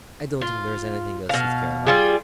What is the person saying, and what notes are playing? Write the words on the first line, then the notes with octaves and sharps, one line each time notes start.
I don't think there is anything else you'd care about.
F4
B2 F5
G3 F4 G#4